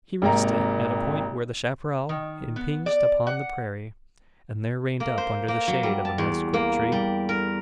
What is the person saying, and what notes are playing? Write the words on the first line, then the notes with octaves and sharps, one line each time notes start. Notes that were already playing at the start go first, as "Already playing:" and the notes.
He reached it, at a point where the chapparal impinged upon the prairie, and there reined up under the shade of a mezquit tree.
G#1 C3 A#3 G4 A#5
D#3
B3
D5
F#5
A#3
C5
A#3
F#3
G3
A5
E2
A#3
G3
A#4